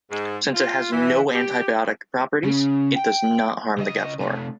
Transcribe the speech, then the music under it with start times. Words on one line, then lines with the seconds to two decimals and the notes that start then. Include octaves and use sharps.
Since it has no antibiotic properties, it does not harm the gut flora.
0.11 G#2
0.54 F4
0.92 E3
1.34 G4
2.44 C#3
2.96 G5
3.78 C#3 D#5
4.21 C3 A3